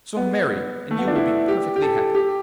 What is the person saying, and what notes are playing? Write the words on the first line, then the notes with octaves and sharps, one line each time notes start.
So marry, and you will be perfectly happy.'
B3
A3
B3
D4
E4
G4
G4
A4
G4